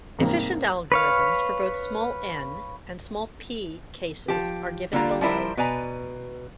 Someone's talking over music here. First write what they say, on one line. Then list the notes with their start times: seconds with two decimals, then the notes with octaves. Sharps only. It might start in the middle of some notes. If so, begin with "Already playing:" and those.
Efficient algorithms for both small "N" and small "P" cases are given below.
0.19 G#2 C3 G3 A#3
0.92 B4 C#5 F5
4.28 F3 G4
4.93 D3 G3 A#3 F4 A#5
5.21 F3 G3 E4 A#4 C5
5.57 B2 B4 D5 G#5 A#5